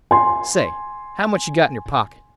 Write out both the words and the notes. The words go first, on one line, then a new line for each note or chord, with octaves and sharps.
Say, how much you got in your pocket?
G#5 C6